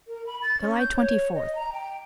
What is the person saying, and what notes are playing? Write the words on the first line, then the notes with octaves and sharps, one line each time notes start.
July Twenty-fourth.
A#4
B5
A6
C#4
G6
C#5
D#5
A#5
G5